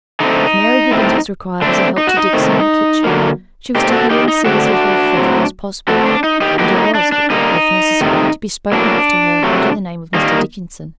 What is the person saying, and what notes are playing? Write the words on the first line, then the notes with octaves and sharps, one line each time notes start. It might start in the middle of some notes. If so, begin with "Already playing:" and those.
If Mary Higgins was required as a help to Dixon in the kitchen she was to hear and see as little of Frederick as possible; and he was, if necessary to be spoken of to her under the name of Mr. Dickinson.
D3 A3 C4 D#4
A2 A3 C4
D3 A3 C4 D4
D#4
F#4
D#4
C3 D#3 A3 C4
D3 F#3 A#3
A#2 A3 C4 D#4 G4
F#4 A4
D#4 G4
D#4
D3 A3 C4 D4 F#4
A2 F#3 C4
D3 A3 C4 F#4 A4
D4
D#4
D#4 G4
A2 F#3 A#3 D#4 G4
D#4
D4
D4
D3 G3 A#3 D#4
C3 D#3 A3
A2 F#3 A#3 D4
C3 F#3 A3
D#3 G3 A#3